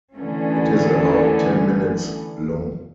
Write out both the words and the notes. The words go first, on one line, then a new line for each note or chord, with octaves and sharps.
It is about ten minutes long.
D3 E3 A3 B3 C#4